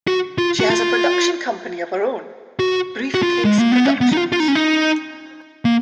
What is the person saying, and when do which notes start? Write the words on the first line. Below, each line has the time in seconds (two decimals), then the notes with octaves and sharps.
She has a production company of her own, Briefcase Productions.
0.07 F#4
0.38 F4
0.60 F#4
0.70 F4
2.59 F#4
3.14 F#4
3.23 F4
3.45 G#3
3.58 A#3
3.72 B3
3.85 C#4
4.01 B3
4.12 D#4
4.17 F4
4.32 F4
4.40 D#4
4.48 C#4
4.55 D#4
5.65 A#3